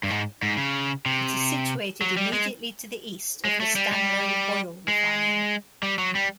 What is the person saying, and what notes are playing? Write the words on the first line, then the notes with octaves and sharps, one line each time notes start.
It is situated immediately to the east of the Stanlow Oil Refinery.
G2
G#2
G#2
C#3
C3
F#3
G3
G#3
G#3
A3
G3
G3
G#3
G3
F#3
G3